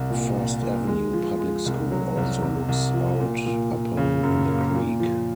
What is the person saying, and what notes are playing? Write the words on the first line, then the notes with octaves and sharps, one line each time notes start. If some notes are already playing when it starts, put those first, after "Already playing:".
First Avenue Public School also looks out upon the creek.
Already playing: C2
A#2
A#2
A#2
G#3
F3
G#3
C2
F#3
C2
C3
C2
F3
A#2
A#2
A#2
C#3
F#2
A#3
A#2
F3